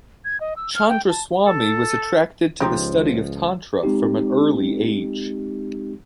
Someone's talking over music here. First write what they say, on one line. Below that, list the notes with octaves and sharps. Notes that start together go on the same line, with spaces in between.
Chandraswami was attracted to the study of Tantra from an early age.
G#6
D#5
E6
F6
G5
A5
A4
C#2 F3 C4 D#4 G4
G#3 C4 D#4 G4